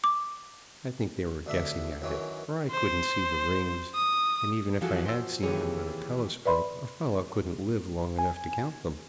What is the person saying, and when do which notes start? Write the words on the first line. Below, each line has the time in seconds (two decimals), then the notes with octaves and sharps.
I think they were guessing at it, for I couldn't see the rings, and even if I had seen them with a telescope a fellow couldn't live long enough to count them.
0.04 D6
1.46 D2 D4 E5
2.02 F#2 D#3 E3 C#4
2.71 C5
3.95 D#6
4.81 E3 F3 F#4 G#4 A4 F5
5.06 F3 F#4 C5 E6
5.43 D#2 C3 E3 G#4 C#5
6.45 B4 D5 E5 B5 C6
8.18 G#5